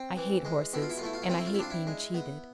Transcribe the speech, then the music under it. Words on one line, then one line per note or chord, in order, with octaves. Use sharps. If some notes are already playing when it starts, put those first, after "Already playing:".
"I hate horses, and I hate being cheated."
Already playing: C4
E3
G#3
B2 E4
F4
E4
F4
A3 E4
F4
E4
C4 F4
E4
F4
E4
D4 F4
E4
G#3
B3